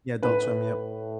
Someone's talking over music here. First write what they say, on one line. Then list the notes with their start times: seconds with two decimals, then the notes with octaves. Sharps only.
Yeah, Adult Swim, yep.
0.22 A2 B4